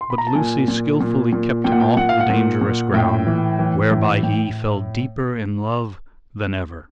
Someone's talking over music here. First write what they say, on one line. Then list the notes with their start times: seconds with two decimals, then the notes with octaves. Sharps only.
But Lucy skilfully kept him off the dangerous ground, whereby he fell deeper in love than ever.
0.01 C6
0.10 B5
0.18 A#5
0.27 A5
0.35 A#2 G#5
0.68 A#2
1.01 A#2
1.33 A#2
1.64 A#2 G5
1.72 F#5
1.80 G5
1.97 A#2 F#5
2.09 F5
2.20 F#5
2.30 A#2
2.61 A#2
2.94 A2 G5
3.27 E3
3.59 E3
3.91 A2
4.23 A2 G5